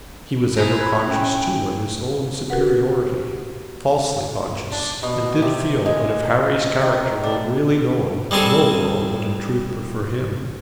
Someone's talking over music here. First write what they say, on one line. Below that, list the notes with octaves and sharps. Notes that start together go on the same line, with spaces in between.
He was ever conscious, too, of his own superiority,--falsely conscious,--and did feel that if Harry's character were really known, no girl would in truth prefer him.
E4 G#4 A#5
B5 F#6 G#6
C#4 G5
F#4 G4 A#4 B4 F#5
D4
B2
C3
G#3
D#3
D4
G3 G#3 C4 G#4 A4